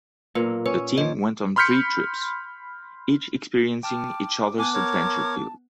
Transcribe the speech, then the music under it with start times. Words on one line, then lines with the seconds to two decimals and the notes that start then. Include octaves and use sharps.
The team went on three trips, each experiencing each other's adventure field.
0.35 B1 A#2 A#3 B4
0.66 C#4 B4
0.98 A#2 F3 D#5
1.56 B5 C6 F6 G6 B6 C#7
3.83 G5 A5 D6 F6
4.58 B3 G#5 A5 D6 F#6
4.74 A#4 C#5